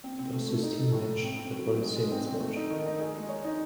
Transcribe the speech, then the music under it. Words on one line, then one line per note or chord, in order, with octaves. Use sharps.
He lost his team match, but won his singles match.
C4
C4
A3
A3
D#4
A4
A2
A2
C4
C4
F#3
F#3
G#3
G#3
C4
C4
A3
D#4
D#3
D#4
G#4
G#3
C#5
D#4